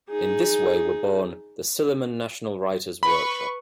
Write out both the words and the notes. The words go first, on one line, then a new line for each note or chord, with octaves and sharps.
In this way were born the Silliman National Writers Workshop.
D#4 G#4
B4 B5 C#6